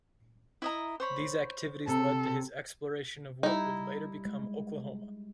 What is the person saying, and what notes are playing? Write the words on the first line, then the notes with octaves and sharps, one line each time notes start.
These activities led to his exploration of what would later become Oklahoma.
E4 D#5 A#5
C5 C#5 B5
C3 A4
G3 D#4 E4
G#3